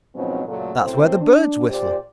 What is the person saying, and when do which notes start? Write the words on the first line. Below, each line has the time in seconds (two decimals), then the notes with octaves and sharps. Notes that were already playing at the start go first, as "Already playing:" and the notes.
That's where birds whistle.
0.15 G#2 B2 F3 F#3 C4 C#4
0.47 F#2 A#2 C#3 F#3 A3
0.80 F#2 A2 A3 C4 C5
1.21 D4
1.69 A#2 G4 C5 D5